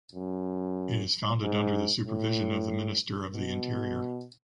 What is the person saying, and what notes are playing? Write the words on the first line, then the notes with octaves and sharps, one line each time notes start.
It is founded under the supervision of the minister of the interior.
F#2
G#2
A2
B2